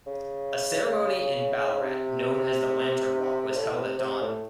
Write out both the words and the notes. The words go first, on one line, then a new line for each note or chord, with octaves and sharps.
A ceremony in Ballarat known as the lantern walk was held at dawn.
C#3
C3
A2
C3
C3
A2